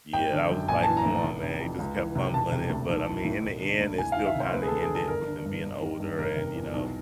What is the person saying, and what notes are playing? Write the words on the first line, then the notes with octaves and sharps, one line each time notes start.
Yeah, I was, like, "Come on, man," he just kept fumbling it, but I mean, in the end, it still kinda ended with them being older and, you know
G#1 G5
D3
F#2
A#1 G#5
E3 A5
A#5
A2
F1
C3
F2
C#2
E3
C3
E1 A5
C3
D2
B1
E3
A2
E1
D3
D2
C2 G#5
D#3 F5
E5
C3 C5
D2 B4
G#4
D2 A4
G#4
D3 A4
G1 A#4
D3
G2
G1
D#3
G2
F1 A#4
C3
E2
B1